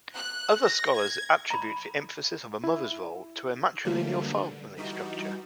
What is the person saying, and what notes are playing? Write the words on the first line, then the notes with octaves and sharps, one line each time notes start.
Other scholars attribute the emphasis on the mother's role to a matrilineal family structure.
F#6
A#6
G#6
A#5 B5
E4
D3 E3 F#3 G3 A3 A#3
D3
E3 G3 D#4 F#4